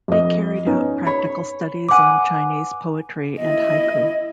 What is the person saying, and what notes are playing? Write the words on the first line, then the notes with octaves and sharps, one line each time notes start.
They carried out practical studies on Chinese poetry and "haiku".
F2 D#5
B3 C#4 D#4
C#5 B5
B4 F#5 G#5 D6 D#6
E4 D#5